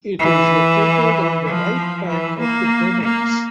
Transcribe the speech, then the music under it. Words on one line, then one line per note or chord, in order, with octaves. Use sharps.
It is located on the right bank of the Donets.
E3
F3
E3
A#3
A#3